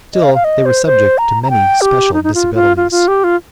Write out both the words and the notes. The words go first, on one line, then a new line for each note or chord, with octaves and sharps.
Still they were subject to many special disabilities.
D#5
F5
F5
D#5
C5
C5
A#5
A#5
G5
G4
D#4
D#4
F4
F4
F4
F4
G4
F4